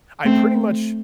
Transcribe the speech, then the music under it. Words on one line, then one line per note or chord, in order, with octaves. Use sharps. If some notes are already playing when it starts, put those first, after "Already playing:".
I pretty much
A3 C4